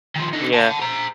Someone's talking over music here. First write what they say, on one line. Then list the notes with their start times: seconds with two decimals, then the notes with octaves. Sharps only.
Mm yeah.
0.16 D#3 F3
0.33 D3 D#4
0.53 F#5 A5
0.80 C5 A#5